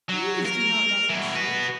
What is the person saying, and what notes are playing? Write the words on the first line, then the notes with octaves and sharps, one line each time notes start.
"Please do not let him shoot!"
F#3
A#4
B2 E3
F#4 B4